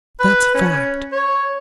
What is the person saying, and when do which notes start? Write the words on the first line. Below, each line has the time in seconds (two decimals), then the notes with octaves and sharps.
That's a fact!
0.20 B4
0.54 C#4
1.12 C#5